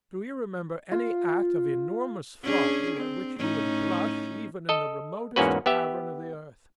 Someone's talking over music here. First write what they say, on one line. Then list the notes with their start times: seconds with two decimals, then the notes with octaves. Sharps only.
Do you remember any act of enormous folly at which you would blush even in the remotest cavern of the earth?
0.91 F4
2.43 C#4 D4 G#4
2.96 C4
3.39 A2 C#4 D#4
4.69 A4 D#5
5.36 E2 G#2 A#3 C#4 F#4 B4
5.66 B3 G4 E5